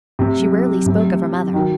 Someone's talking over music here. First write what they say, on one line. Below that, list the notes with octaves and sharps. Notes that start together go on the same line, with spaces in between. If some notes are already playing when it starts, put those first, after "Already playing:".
She rarely spoke of her mother.
C3 A3
F#3
E4
F#3
C3 F#3
A3
E4
F#3
D#3 F#4